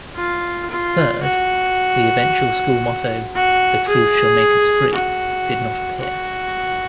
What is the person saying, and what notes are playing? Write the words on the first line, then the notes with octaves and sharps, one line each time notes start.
Third, the eventual school motto, "The Truth Shall Make Us Free" did not appear.
F4
F4
F#4
F#4
G#4
F#4
F#4